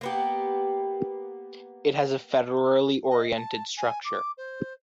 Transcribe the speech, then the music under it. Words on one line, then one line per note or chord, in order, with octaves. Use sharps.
It has a federally orientated structure.
A#3 B3 G4
D#5
A5
G#5
D6
C5